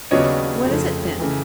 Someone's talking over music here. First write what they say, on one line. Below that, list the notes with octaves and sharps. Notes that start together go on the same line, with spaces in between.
"What is it, then?"
D#2 C#3 F#3 B3 D4 C#5 D#5
F2 C#3 F3 A3
C#3 E3 A3